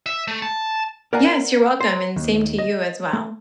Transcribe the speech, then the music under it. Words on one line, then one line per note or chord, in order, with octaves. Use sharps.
Yes. You're welcome, and same to you as well.
E5
A3
A5
A#4 D5 F5 F#5 G#5 A#5
C5
D#2
D#5
A3